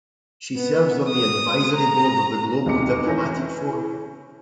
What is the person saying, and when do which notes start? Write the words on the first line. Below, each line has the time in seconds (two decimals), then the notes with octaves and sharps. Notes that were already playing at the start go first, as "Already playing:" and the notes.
She serves on the advisory board of the "Global Diplomatic Forum".
0.56 B3
1.10 D#6
1.76 A#5
2.66 F1 D#2 G#4 D#5 D6 C#7
3.06 E3 C#4 G6 A#6